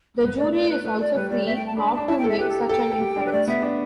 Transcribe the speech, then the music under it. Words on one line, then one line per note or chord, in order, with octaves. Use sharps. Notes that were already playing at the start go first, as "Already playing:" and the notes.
The jury is also free not to make such an inference.
B3 B4
A3 D5
D5
B4
A3 B4
D5
G3 B4
G3 D5
A3 E5
G5
A5
D4 B5
D4 A5
E4 A5
G5
A4
E5
G4 B4
A4
A4 G5
A4
G4
D4
B4
A3 D5
B3 E5
D4